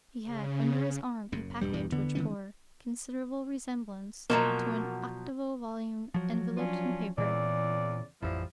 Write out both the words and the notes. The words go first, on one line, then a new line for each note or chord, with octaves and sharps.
He had under his arm, a package which bore considerable resemblance to an octavo volume enveloped in paper.
C#3
F#1 F#2 C#3
E1 G2 G3
E2
D3 B3
D#3 G3 C#4
B2 F3 F#3 A#3
F3 F#3
C#4 D4 F4
E2 A#2 C#3 E3 D5
A1 F2 F3 G3 E4